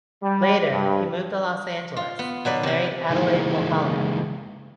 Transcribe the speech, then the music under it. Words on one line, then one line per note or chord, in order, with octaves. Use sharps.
Later, he moved to Los Angeles and married Adelaide Mulholland.
G3
G2
F4
B3
B2 F#3 B4 D5
C3 E4
C#3 E3 G#3 A#3 D#4 E4